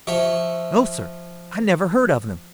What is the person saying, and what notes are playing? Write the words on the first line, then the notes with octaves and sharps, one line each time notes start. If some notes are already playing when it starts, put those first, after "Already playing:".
"No, sir; I never heard of them."
F3 C#5 E5